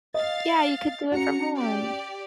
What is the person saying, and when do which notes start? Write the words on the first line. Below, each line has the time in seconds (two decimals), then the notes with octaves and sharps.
Yeah, you could do it from home.
0.14 D#5 F5 A6
1.12 C#4 F#4 A#5 C#7
1.56 G4 D5